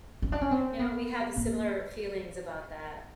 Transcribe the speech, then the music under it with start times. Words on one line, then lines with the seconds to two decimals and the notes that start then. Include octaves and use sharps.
you know, we had the similar feelings about that.
0.22 C#4
0.32 D4
0.41 C#4
0.51 C4
0.79 B3
1.36 A#3